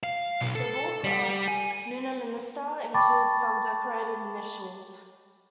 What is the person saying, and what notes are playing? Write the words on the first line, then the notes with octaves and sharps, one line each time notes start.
The Book of Nunnaminster includes some Decorated initials.
F5
B1
A4
G3
G#5
G5 A5 B5 C#6 D6 A6